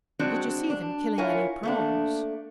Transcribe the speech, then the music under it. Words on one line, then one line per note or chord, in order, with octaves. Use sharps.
"Did you see them killing any prawns?"
G#3 C4 D4 F#4 D5
D4
E4 F4 A#4 C#5 F#5 G#5
A3 A#3 D4